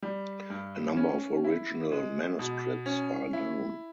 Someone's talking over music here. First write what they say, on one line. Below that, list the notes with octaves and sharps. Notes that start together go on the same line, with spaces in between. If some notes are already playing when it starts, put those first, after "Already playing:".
A number of original manuscripts are known.
G3
G2
C#4
E4
G#3
B2
C#4
E4